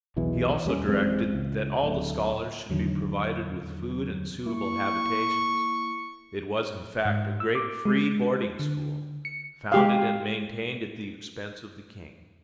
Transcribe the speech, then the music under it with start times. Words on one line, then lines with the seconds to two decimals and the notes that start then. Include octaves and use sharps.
He also directed that all the scholars should be provided with food and suitable habitations: it was in fact a great free boarding-school, founded and maintained at the expense of the king.
0.16 B1 E2 B2 E3
0.65 D#2 G3 C#4
0.87 A1 F#2 G#3 C4
1.34 C#2
1.83 D1 A3
2.69 E2 A2 D3 D#3 F#3
4.46 A#3 E4 C#6
7.05 G#2
7.40 E6
7.55 D6
7.85 G#3
8.59 D3
9.25 C#7
9.72 G#3 G4 F5